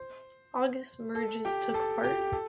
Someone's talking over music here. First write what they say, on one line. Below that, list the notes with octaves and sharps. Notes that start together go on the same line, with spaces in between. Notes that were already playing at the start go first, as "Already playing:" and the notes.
August Merges took part.
Already playing: C5
A4
G4 G5
A4 A5
G4 G5
A4